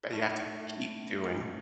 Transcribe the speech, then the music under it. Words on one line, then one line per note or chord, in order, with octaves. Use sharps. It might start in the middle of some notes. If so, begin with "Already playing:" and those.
That you have to keep doing.
A3 D#4 E4 A4